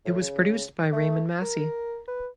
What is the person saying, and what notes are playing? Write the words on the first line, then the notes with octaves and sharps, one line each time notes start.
It was produced by Raymond Massey.
A2
C#3
A3
A#4
B4